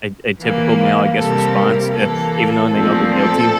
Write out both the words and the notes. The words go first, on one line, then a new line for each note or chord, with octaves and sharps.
a a typical male, I guess, response, uh, even though they know they're guilty.
E3 A#3
C3 G3 A#3 A4
A#4
E3 A#3 A4
A#2 F3 A3 C4
A4